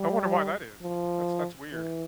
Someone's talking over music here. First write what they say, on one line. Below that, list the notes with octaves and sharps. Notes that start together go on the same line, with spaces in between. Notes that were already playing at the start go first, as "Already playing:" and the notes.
I wonder why that is. That's that's weird.
Already playing: G3
F3
E3